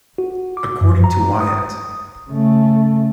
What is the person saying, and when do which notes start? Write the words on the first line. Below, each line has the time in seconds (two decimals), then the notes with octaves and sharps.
According to Wyatt.
0.18 F#4
0.57 D6
0.81 F#2
1.04 A#5
1.40 D#6
2.29 C#3 A3